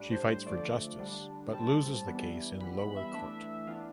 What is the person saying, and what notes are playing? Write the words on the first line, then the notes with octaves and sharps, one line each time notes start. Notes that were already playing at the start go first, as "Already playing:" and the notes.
She fights for justice but loses the case in lower court.
Already playing: A2 G3 D4
C5
C5
D3 F3 A3 D5
D3 G3 D4
A2 G3 C4 A5
E3 G3 B3 D4
E3 G3 B3 B5
B5
E5
E3 A3 D4 E5
E3 B3 D4 F4